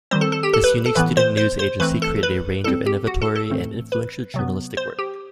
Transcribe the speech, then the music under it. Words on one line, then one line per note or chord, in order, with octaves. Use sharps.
This unique student news agency created a range of innovatory and influential journalistic work.
D#3 G3 C4 C5
A4
A4
G4
A4
B4
A4
A2 E3 B3 B4
C5
C5
C5
E3 A3 C4 B4
A4
B4
A2 G3 C4 A4
G4
F#4
A4
A4
A2 E3 A3 C4
B4
C3 F#3 B3
C5
G4